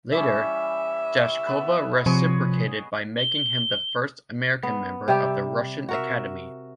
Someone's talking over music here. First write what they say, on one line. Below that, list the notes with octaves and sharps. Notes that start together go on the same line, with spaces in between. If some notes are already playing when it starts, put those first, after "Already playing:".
Later, Dashkova reciprocated by making him the first American member of the Russian Academy.
E3 G3 C#4 E5
B3 B4
C3 F3 G#4 C#5 D#5
G7
B3
C3 G3 G4 E5
F#4 A#4 E5